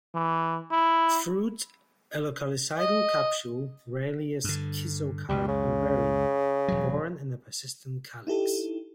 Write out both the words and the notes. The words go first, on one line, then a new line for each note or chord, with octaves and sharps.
Fruit a loculicidal capsule, rarely a schizocarp or berry; borne in a persistent calyx.
E3
E4
D#5
G2 D3
C#2 F#2 G3
C#3
E1 F#3
D#4 E4 G4 A4